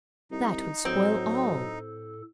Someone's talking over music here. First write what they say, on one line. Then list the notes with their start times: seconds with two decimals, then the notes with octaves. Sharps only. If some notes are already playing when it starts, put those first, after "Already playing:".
'That would spoil all.
0.31 C2 D#4
0.85 A2 F#3 C4 A4